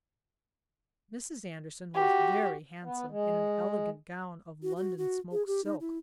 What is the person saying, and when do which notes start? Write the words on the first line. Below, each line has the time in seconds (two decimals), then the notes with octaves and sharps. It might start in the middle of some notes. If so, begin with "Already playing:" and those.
Mrs. Anderson was very handsome in an elegant gown of London-smoke silk.
1.95 F#4 G4
2.83 B3
3.10 G#3
4.63 F#4
4.77 F#4
4.98 F#4
5.32 G#4
5.47 G4
5.65 D#4
5.81 E4